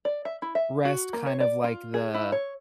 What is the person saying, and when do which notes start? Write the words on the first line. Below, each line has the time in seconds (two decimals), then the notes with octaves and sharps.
rest, kind of like, the
0.05 D5
0.25 E5
0.42 E4
0.55 E5
0.85 F#4
1.13 A#3
1.26 C#5
1.40 D5
1.64 F4
1.94 G#4
2.14 E4
2.32 C#5